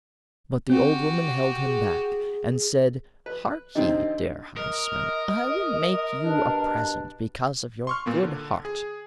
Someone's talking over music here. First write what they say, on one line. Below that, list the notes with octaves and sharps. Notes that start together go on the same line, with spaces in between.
But the Old Woman held him back, and said: 'Hark ye, dear Huntsman, I will make you a present because of your good heart.
C4 F#4 G4
G#4
B4
C3 D#3 C4 D4 D#5
A#4 D#5 D#6
G2 B2 D4
C6 C#6 F6
A#2 A#3 B3
D3
G#4